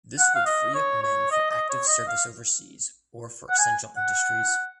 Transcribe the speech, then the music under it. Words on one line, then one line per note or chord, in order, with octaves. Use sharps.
This would free up men for active service overseas or for essential industries.
F#5
F5
D#5
C#5
C#5
D#5
D#5
C#5
D#5
F5
F#5
G#5
F#5